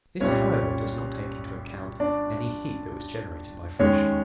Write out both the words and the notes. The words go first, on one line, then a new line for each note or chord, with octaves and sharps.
This, however, does not take into account any heat that was generated by friction.
C2 A#2 G3 C#4 C#5
D4 D5
D#2 D#3 G#3 C#4 C#5